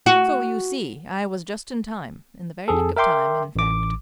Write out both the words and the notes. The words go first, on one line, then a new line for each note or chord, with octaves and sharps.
"So you see, I was just in time; in the very nick of time, in fact!"
F#4
F2 G#4 A4
A#4 E5 G5 C6 D6
A1 D6